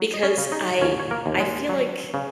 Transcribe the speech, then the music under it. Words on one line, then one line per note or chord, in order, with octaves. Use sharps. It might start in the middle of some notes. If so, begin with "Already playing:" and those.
Because I I feel like
Already playing: F#3
D#5
C#4 C#5
C#3
D#4 D#5
D#2 C#4 C#5
C#5
A#3 A#4
D#2
G#3
F#3
C#3